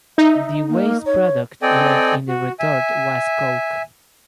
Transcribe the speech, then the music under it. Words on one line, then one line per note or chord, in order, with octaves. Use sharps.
The waste product left in the retort was coke.
D#4 E5
A#3
C#5
C4 A4 D5 D#5 G5 G#5
F#4
E5 G#5